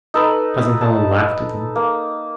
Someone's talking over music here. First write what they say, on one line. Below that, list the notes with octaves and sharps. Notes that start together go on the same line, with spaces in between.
Cousin Helen laughed again.
D#4 A4 B4
A5
A#3